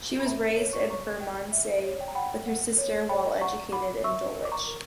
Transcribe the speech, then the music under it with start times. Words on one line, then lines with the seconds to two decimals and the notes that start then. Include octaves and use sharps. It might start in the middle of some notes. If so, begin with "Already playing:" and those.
She was raised in Bermondsey with her sister while educated in Dulwich.
0.20 B5
0.26 E5 A#5
0.57 C#5
0.73 C#6
0.81 D6
0.89 C#5 A#5 C#6
1.20 G5
1.52 E5
1.83 C#5
2.00 G5
2.08 A#5
2.15 F#5 G5 B5
2.46 F#5
2.78 C#5
3.09 C#5 G5 B5
3.41 F#5 A#5 C#6
3.72 F#5 B5 D6
4.04 E5 C#6 E6
4.36 A#4
4.45 D6
4.52 A#5 C#6
4.68 A#4